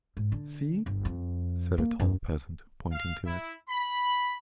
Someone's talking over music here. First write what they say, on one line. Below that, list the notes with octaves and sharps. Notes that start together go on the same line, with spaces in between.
"See!" said a tall peasant, pointing to it.
G#2
D3
G1
F2
A#3
F#2
F5
E4
B5